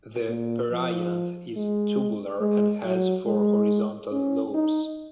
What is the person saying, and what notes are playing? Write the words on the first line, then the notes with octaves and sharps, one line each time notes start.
The perianth is tubular and has four horizontal lobes.
A#2
F3
G#3
G#3
F#3
G#3
C#4
D#4